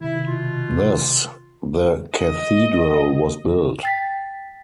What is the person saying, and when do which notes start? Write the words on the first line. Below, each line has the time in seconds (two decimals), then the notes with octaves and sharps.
Thus the cathedral was built.
0.01 C3 D#3 E4
0.25 B2 F4
2.17 D#5
3.83 G5 A6 B6